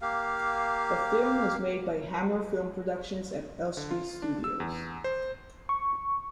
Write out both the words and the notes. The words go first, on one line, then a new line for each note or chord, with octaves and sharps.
The film was made by Hammer Film Productions at Elstree Studios.
A#3 G4 F5
D3
F4
D4
E6
E2
C5
C#6